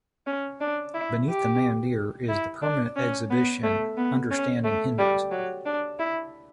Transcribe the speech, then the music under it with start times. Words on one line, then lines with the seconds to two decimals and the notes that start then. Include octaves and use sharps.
Beneath the Mandir is the permanent exhibition 'Understanding Hinduism'.
0.27 C#4
0.60 D4
0.94 E4
1.28 G4
2.29 E4
2.62 D4
2.96 C#4
3.30 B3
3.63 A3
3.97 B3
4.31 C#4
4.64 A3
4.98 G3
5.31 F#3
5.65 D4
5.99 E4